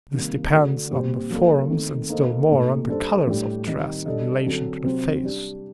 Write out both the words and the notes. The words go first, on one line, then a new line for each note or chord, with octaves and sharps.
This depends on the forms and still more on the colors of dress in relation to the face.
C3 D#3 G3 A#3
D3 A3 D4 F#4
A#2 G3 C4 G4 C5
F#3 A#3 D4 A4
D#3 A3 C4
A#3 D#4 A4 C5 D#5
A#2 A3 D#4
G3 D4 A4 C5
A2 G3 D4 G4
D#3 G3 C4 D#4 G4
G3 D4 A4 D#5
D3 F#3 C4 F#4 A4
C3 F#3 C4 G4 C5
G3 D4 G4